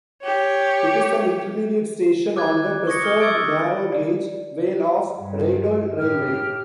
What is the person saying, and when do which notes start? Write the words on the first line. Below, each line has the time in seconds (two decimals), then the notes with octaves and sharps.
It is an intermediate station on the preserved narrow gauge Vale of Rheidol Railway.
0.22 G4 C#5
2.36 D6 F#6 G#6
2.87 C#6 D#6 G#6 A#6 C#7
3.01 D6 D#6 F6 G7
3.20 D6 E6 G#6 A6 D7
3.45 D6
3.92 D5
5.20 G2
5.99 A2 G4 F6